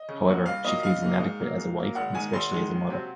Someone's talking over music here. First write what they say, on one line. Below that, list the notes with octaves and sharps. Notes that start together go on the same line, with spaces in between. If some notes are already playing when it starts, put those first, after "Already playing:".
However, she feels inadequate as a wife and especially as a mother.
Already playing: D#5
C#3
F#3 A#3 C#4 F#4
C2 F5
A#2 F#3 A#3 D#5
C2 F5
A#2 F#3 A#3
G#2
F#3 A#3
G#2
F#3 A#3
G#1 F#5
G#2 D#3 G#3 G#5
G#1 C6
G#2 D#3 G#3
C#2
C3 F#3 C4